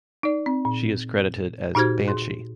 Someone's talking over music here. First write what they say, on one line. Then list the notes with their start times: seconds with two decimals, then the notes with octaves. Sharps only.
She is credited as "Banshee".
0.23 D#4 D5
0.46 C4
0.65 A#2
1.75 A#2 D#4 F#4 G4 C5 G#6
2.08 G#4 C6